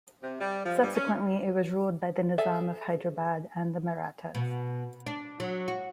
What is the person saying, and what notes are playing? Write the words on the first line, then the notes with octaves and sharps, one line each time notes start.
Subsequently, it was ruled by the Nizam of Hyderabad and the Marathas.
C3
G3
F3
G2
C#4
G#4 A4 E5
B2
D4
F#3
F#4